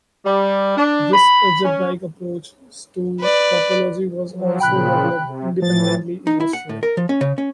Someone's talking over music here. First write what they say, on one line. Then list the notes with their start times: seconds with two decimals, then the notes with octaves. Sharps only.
This algebraic approach to topology was also developed independently in Austria.
0.24 G3
0.76 D4
1.12 B5
1.63 C#4
3.21 B4 D5
4.31 F3 F#3
4.60 A#2 C#3 F3 G5 B5 F#6
5.18 C3
5.62 A2 E3 F3 A6
6.27 D#4
6.40 E4
6.53 F#5
6.69 A2
6.83 A#4
6.97 F3
7.09 C#4
7.21 C#3
7.38 C#4